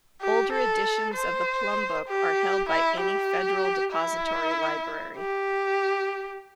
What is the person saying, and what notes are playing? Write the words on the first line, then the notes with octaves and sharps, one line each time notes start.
Older editions of the Plum Book are held by any Federal depository library.
G4
A4
C5
G4
E4
G4
E4
G4